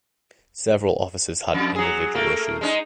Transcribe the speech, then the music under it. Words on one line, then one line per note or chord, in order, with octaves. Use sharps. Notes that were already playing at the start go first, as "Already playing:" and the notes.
Several offices had individual issues.
F2
F#3 G#4
A3 A#3
G#3 C#4 D#4